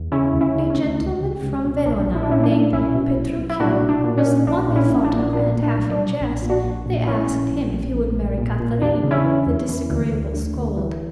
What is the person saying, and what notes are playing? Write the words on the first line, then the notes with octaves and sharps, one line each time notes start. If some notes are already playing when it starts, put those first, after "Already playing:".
A gentleman from Verona, named Petruchio, was the one they thought of, and, half in jest, they asked him if he would marry Katharine, the disagreeable scold.
Already playing: E2
C#3 C#4 E4
D2
C#4 E4
C#3
C#4
D2
C#2
C#2
C#2
B2
A#1 D4
A#1
E4
D4
A#2 C#4 E4
D4
A#2
B1 C#4 E4
B2
B1
B1
E4
A#2 D4 F#4
B1
D4
A#2
C#4
A#2
A#1 D4
A#2
C#4 E4
A#1
D4
A#2
A#2 D4
A#2
D4
B1
D4
B1
A#1
A#2
D4 F#4
A#1
A#2
A#1 C#4 E4
A#1
A#1
A#1
A#1
A#1
A#2
A#2
E2 D4
C#3
C#4 E4
E3
E2
E3
D2
D2
D2
D2
E3